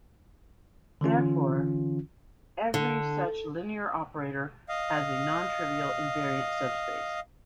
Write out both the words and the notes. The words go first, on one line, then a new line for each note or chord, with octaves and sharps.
Therefore, every such linear operator has a non-trivial invariant subspace.
D3 E3 C#4 F4
D3
D#5 F5